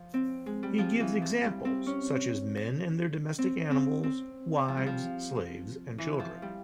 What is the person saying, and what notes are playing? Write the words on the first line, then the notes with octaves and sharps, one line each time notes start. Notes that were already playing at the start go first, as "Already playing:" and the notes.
He gives examples such as men and their domestic animals, wives, slaves, and children.
Already playing: F3
C4
G#3
G3
F3
E3
F3
G3
C4
C#4
C4
C4
C4
F3
G3
F3
E3
F3
G3